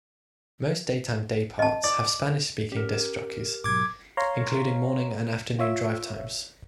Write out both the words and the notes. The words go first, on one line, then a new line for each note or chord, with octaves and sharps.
Most daytime dayparts have Spanish-speaking disc jockeys, including morning and afternoon drive times.
D#5 A5
D5
C#4 G4 A#4
G#2 B2 F#3 D6 G#6
C#5 F5 A#5 C6
F4 C#5 E5